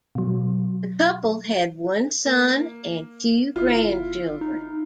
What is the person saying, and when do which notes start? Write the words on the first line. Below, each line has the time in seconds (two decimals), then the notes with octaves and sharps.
The couple had one son and two grandchildren.
0.15 B2 F#3
2.26 A#3
3.56 G1 E4 F4
4.41 D#4